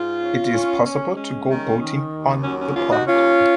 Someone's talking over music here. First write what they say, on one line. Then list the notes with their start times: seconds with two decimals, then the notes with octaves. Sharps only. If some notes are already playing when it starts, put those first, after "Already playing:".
It is possible to go boating on the pond.
Already playing: G#2 F4
0.18 C#4
0.51 C#4
0.83 C#4
1.14 G#3 C#4
1.47 D#3
1.79 D#3
2.11 D#2
2.42 F#3 C#4
2.60 C#4
2.75 D#2 C#4 F4
2.91 D#4 F#4
3.07 D#2 C#4 F4